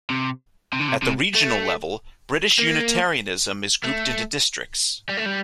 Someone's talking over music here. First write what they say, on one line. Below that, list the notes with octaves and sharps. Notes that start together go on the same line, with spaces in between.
At the regional level, British Unitarianism is grouped into Districts.
C3
C3
D3
C3
C3
A3
A#3
A3
G3
A3
G3